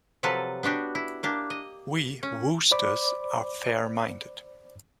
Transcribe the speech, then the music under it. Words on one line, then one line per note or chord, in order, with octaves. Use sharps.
We Woosters are fair-minded.
C3 F3 F#3 A4 B4 A5
B3 D4 F#4 G4
E4
A#3 D4 G4
D#5
C#4
C5 D5 B5 D6